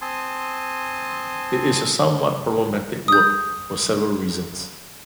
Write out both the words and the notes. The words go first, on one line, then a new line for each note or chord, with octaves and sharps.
It is a somewhat problematic work for several reasons.
C4 G#5 A5 C6 D#6
D#6 G6